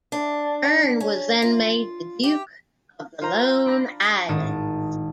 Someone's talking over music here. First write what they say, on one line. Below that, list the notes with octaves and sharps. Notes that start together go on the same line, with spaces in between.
Bern was then made the Duke of the Lone Islands.
D4
C#4
F4
G4
F4 C5 A#5
D4 B5 A#6
G#1 A2 D#3 G#4 A5 D#6